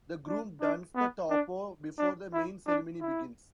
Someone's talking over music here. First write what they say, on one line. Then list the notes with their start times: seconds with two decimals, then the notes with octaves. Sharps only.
The groom dons the topor before the main ceremony begins.
0.28 D4
0.61 D4
0.96 B3
1.30 D4
1.98 D4
2.33 E4
2.67 D4
3.01 E4